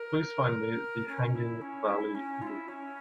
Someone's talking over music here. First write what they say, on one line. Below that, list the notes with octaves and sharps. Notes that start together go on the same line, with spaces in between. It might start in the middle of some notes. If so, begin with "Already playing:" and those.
Please find me The Hanging Valley movie.
Already playing: A#4
C#4
E4
C#4
E4
C#4
F4
E4
C#4